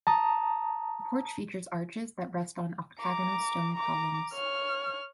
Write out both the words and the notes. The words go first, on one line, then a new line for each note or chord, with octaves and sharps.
The porch features arches that rest on octagonal stone columns.
A5 A#5 D#6
A#5 D6
A#5 D6
C#5 F6